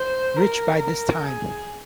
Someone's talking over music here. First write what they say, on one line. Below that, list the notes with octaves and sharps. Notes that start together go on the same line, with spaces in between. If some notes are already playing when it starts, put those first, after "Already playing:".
Rich by this time.
Already playing: C5
A#4
A#4
G#4